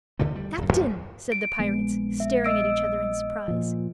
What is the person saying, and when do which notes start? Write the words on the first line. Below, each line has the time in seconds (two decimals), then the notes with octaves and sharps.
"The captain!" said the pirates, staring at each other in surprise.
0.19 D2 D3 E3 A3
0.35 G3
0.58 D1 F#2
0.72 C2 G#2 F3
1.32 D7
1.59 A#1 G#3 B3
2.20 E5
2.45 D#5 E6 D7
3.48 A#2 F3